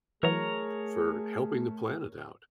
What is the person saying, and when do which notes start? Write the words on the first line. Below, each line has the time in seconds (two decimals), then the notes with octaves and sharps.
for helping the planet out.
0.23 E3 F#3 A3 G#4 A#4 C#5 A#5